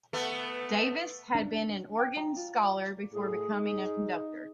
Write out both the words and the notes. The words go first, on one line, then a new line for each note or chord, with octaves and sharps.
Davis had been an organ scholar before becoming a conductor.
A3 B3
D4
G5
A#5
F4
D5
A2 G#4
D#4